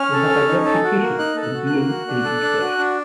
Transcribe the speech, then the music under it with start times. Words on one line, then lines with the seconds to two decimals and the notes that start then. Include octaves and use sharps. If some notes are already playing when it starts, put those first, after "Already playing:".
They have a reputation for being greedy fish.
Already playing: C#4 F6
0.12 A4
0.29 C#4
0.48 D#4
0.65 A4
0.83 F#4
1.01 A#3
1.18 D#4 F#6
1.36 A4
1.42 F#6
1.54 F#4
1.66 F#6
1.71 A#3
1.89 F#4
2.08 D4
2.24 A4
2.42 D4
2.61 F#4
2.78 D4